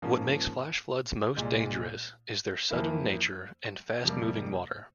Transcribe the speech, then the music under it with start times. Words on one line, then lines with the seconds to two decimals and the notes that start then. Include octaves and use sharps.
What makes flash floods most dangerous is their sudden nature and fast-moving water.
0.02 G#2 F3 A#3 C#4
1.36 C2 A#2 G#3
2.71 F2 E3 A#3 E4 A#4
4.04 F2 C3 G3 A#3